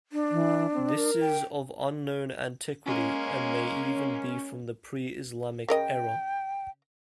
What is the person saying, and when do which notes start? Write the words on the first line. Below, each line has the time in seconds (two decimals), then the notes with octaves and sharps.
This is of unknown antiquity, and may even be from the pre-Islamic era.
0.12 D4
0.32 E3
0.74 C4
0.95 A#4
1.20 G5
2.86 G#3 A#3 C#4
5.69 C#3 A#4 D#5 G5